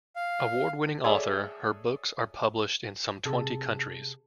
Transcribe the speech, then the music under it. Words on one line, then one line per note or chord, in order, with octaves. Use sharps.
Award-winning author, her books are published in some twenty countries.
F5
G#4 A4 C#5 D5 E5 G#5
C3 G#4 A4